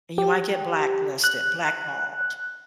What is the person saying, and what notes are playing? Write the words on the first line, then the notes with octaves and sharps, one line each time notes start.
And you might get blacklisted, blackballed.
G4
F#6